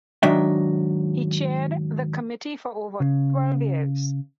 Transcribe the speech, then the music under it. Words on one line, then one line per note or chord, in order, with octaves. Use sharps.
He chaired the committee for over twelve years.
G#2 D#3 F#3 D4 D#4 E5
C#3